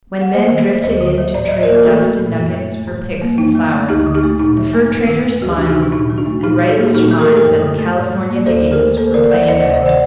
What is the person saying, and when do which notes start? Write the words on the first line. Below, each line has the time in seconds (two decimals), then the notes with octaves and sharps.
When men drifted in to trade dust and nuggets for picks and flour, the fur-traders smiled, and rightly surmised that the California diggings were playing out.
0.21 F#5
0.33 A#3 C5 D#5
0.51 D#3
0.67 F#3
0.84 D2 C5 D#5
1.01 D3
1.18 F#3
1.34 A2 D5
1.48 F#3 D#5
1.63 A#4 D5
1.68 A#3
1.75 A#4
1.86 A3 F#4 A4
2.02 A3
2.19 A#2
2.36 F#2
2.53 F#3
2.70 A3
2.87 A2
3.04 G3
3.21 A#3
3.38 F#2 D#4
3.55 F#3
3.72 A3
3.89 D2 D#4 G4
4.06 D3
4.14 D#4 G4
4.23 A3
4.39 A#2 D#4
4.57 F#3
4.73 A3
4.90 G2
5.07 D#3
5.24 A3
5.42 D2 F#4
5.49 G4
5.56 C3 D4 F#4
5.67 D#4 G4
5.76 D#3
5.82 D4
5.92 A#2 D#4
6.10 F#3
6.18 D4 F#4
6.26 A3
6.43 A#2 D#4 G4
6.60 F#3
6.68 F#4 A4
6.78 A#3
6.85 F#4
6.93 A#2 D#4 G4
7.11 F#3
7.19 A#4
7.28 A3 A4
7.36 G4 A#4
7.45 F#2
7.62 D3
7.78 A3
7.95 A2
8.12 G3
8.30 A#3
8.36 D5
8.46 D#2 A4 C5
8.64 D3
8.72 G4 A#4
8.80 A3
8.97 A#3 A4 C5
9.14 D3 A#4 D5
9.31 F#3 D5 F#5
9.48 D2 C5 D#5
9.61 D5 F#5
9.65 C3
9.73 C5 D#5
9.82 D#3 D5 F#5